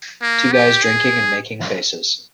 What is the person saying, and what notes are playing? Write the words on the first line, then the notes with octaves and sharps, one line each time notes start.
Two guys drinking and making faces.
A#3
G4
G#4